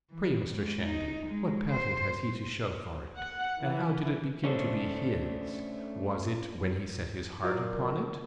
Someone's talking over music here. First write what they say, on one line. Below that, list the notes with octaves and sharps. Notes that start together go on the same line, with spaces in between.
Pray, Mr. Shandy, what patent has he to shew for it? and how did it begin to be his? was it, when he set his heart upon it?
E3
G#2
D#4
G#3
C5
F#5
E3
A3 C#4 D4 A4 C5
F#3 F4 F#4 A#4 D5